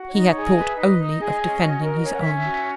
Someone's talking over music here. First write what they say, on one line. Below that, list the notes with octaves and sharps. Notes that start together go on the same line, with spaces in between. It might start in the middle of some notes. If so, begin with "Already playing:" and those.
He had thought only of defending his own.
Already playing: F#4
C#5
D#4 D#5
C#5
G#4
D#5
B4
E5
D#4 D#5
D#4
G#4
C#4
F#4
A#4
C#4 C#5
F#5
E5
C#4
E5
F#4
E5